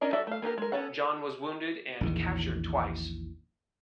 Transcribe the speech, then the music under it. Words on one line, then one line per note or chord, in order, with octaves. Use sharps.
John was wounded and captured twice.
C#4 D4 A#4 D#5
F#4 A4 D5 E5
A3 F5
A#3 B3 G4 A#4
G#3 A#4
B3 C#4 A4 C#5 F#5
A#1 E2 D#3